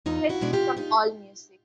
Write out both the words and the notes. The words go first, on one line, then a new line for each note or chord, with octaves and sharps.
Credits from Allmusic.
E2 D#4 F4
E4 F#4
B2 G#3 B3 D4
F4 G4
D#4 F4